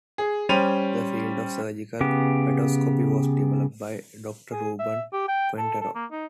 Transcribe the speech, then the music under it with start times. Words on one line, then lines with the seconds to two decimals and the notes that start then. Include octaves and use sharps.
The field of surgical fetoscopy was developed by Doctor Ruben Quintero.
0.18 G#4
0.49 G3 C#4 C5 G5 D#7 F7
2.01 C#3 B3 G4
4.52 G#4
4.79 E5
5.13 G4
5.28 G5
5.58 A4
5.81 A4
5.95 A#3
6.11 D#4